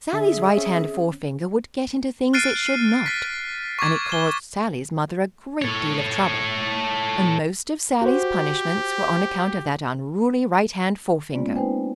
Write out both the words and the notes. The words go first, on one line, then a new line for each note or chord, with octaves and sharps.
Sallie's right-hand forefinger would get into things it should not, and it caused Sallie's mother a great deal of trouble, and most of Sallie's punishments were on account of that unruly right-hand-forefinger.
D3 G#4 E5
C4 C#4
F6 F#6 A6 C7 D7 D#7
A6 B6
C#6 D6 G#6 A6
E7 G7
A4 C#5
F#4 G4 C5
G#3 A#3 B3 C#4 F4 D5
C4 D#4 B4 C5 G5 G#5